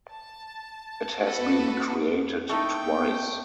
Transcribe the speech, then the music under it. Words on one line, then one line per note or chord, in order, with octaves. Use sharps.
It has been created twice.
A5
F#4 A4 B4
A3 D#4 E4 A4 G5